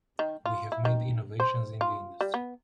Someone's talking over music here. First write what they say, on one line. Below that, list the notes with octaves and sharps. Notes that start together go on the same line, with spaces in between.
We have made innovations in the industry.
D#3
F4
E4
D#3
C5
F4
G3
B3